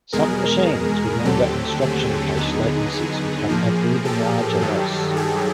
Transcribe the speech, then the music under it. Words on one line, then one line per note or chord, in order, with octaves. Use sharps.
Some machines with longer instruction cache latencies would have an even larger loss.
E2 B2 G#3 G#4 A#4
D#2 D3 F#3 A3 C4 G4 A4
G#4
D#2 D3 F#3 B3 D#4
G#4
A2 F3 A#3
G4 A4
G2 D#3 F#3
G#4